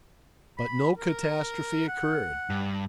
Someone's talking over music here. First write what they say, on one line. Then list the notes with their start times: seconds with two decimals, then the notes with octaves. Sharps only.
But no catastrophe occurred.
0.58 B5
0.98 A#4
1.88 F#5
2.50 G2